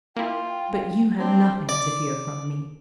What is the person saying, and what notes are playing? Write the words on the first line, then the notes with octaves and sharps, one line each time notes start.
But you have nothing to fear from me.
A#3 E4 F4 G5
C4 D4 G5
D5